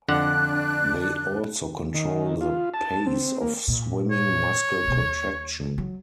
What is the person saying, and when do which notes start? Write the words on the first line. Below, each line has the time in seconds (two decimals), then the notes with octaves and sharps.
They also control the pace of swimming-muscle contraction.
0.08 F2 D3 D4 F#5 F#6
1.94 D#3
2.41 F4
2.74 A5
3.07 C4
3.41 A#3
3.68 A#2
4.11 C#5
4.85 D1 B2
5.02 D#2
5.78 F#3